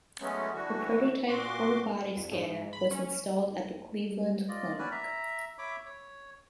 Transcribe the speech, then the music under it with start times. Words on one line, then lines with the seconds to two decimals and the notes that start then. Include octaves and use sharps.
A prototype whole body scanner was installed at the Cleveland Clinic.
0.21 F#3 G#3 A3 B3 C#4
0.53 D3 E3 F#4
1.28 A#2 F#4 C6 D6
2.17 F2
2.31 G#2
2.73 B5
2.91 C#4
3.47 F#1
4.09 G3
4.49 F4 D5 D#5
4.79 C#4 F#4 B4 D5
4.92 E5 A#5
5.58 C#5 E5 B5 D6
5.86 C#5